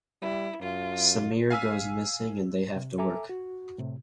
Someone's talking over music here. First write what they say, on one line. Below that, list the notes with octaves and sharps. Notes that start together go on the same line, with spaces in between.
Sameer goes missing and they have to work.
G3 E4
F#2 F4
F5 G#5 E6 B6
C3
A4 E5 G#5 A#5 D6
F#4
A2 C3